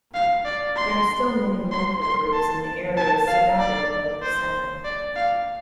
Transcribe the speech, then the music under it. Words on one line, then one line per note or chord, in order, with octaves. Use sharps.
There are still many Lenca groups in the areas surrounding the village center.
F5
D5
C6
C6
C6
A5
A5
F5
D5
C5
D5
F5